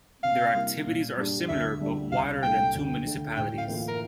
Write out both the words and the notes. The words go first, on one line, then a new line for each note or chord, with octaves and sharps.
Their activities are similar but wider than to municipalities.
C3 F5
G3 A#3 E4
A#2
G3 D4 G4
D2 E5
D3 G3 D4 G4
C2 F5
A#2 G3 D4 A4 G5
D2
D3 A3
A2 G5
F5
E3 A#3 F4
A#4